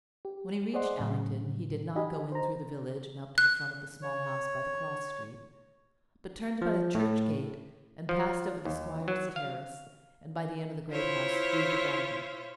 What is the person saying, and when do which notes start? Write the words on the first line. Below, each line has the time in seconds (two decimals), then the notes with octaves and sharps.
When he reached Allington he did not go in through the village and up to the front of the Small House by the cross street, but turned by the church gate and passed over the squire's terrace, and by the end of the Great House through the garden.
0.25 G4
0.73 G#4 C5 D5 D#5 F#5 C6
1.00 A2 C#3 F#3
1.96 D#4 F#4 G4 D#5 G#5 B5
2.32 C5 A#5
3.38 F#6
4.02 C#5
6.62 F3
6.95 A2
8.09 F3
8.65 D#2
9.08 F#3
9.36 F5
10.90 E4 F4 C5 C#5